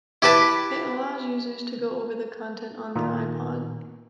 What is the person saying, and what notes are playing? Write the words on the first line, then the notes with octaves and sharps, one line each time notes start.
It allows users to go over the content on their iPod.
E4 G4 B4 A5 B5
A#2 D#3